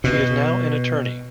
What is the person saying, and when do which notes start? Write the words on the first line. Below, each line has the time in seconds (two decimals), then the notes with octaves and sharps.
She is now an attorney.
0.04 B2